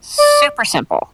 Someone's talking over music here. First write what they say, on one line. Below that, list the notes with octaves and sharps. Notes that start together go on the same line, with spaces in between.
super simple.
D5